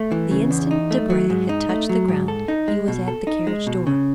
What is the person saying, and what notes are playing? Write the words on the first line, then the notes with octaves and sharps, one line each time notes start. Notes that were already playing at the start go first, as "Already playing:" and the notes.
The instant Debray had touched the ground, he was at the carriage-door.
Already playing: A3
E3
C#3
E2
D#4
A3
F#3
G#2
D#4
A3
F#3
G#2
A4
D#4
G#3
B2
A4
D#4
G#3
B2
C#3